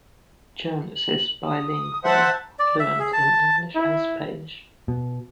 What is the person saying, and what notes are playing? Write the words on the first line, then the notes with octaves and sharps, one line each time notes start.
Jones is bilingual, fluent in English and Spanish.
F#7
D#6
C5 E5 F#5 A5
D5
E5
G#4
A5
E4
B2